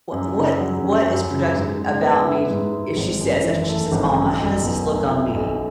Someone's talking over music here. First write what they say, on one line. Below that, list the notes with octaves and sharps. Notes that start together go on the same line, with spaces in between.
wh what what is productive about me if she says if she says, "Mama, how does this look on me?"
F#2
C#3
F#3
C#4
F#2
C#3
G#2
G#3
B3
E4
G#2
G#3
G#1
F#2
E3
A3
G#1
F#2
B1
B2
A3
E4
B1